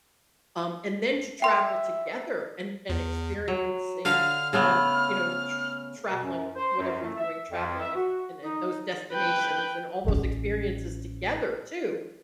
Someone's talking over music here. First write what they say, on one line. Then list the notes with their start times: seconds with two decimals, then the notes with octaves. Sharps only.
um, and then to travel together and and experiencing, um you know, tr traveling- whatever you're doing- traveling in in those destinations and all those experiences together, too,
1.42 E5 G5 C6
2.89 E2
3.48 F#3
4.05 D3 F5 F6
4.53 C#3 A3 B3 F6
6.09 B2
6.23 F#2
6.56 C5
6.78 F#2
7.02 A3
7.17 E5
7.52 F2
7.81 E5
7.96 F#4
8.44 D#4
9.12 B4 G5
10.04 A1 C#4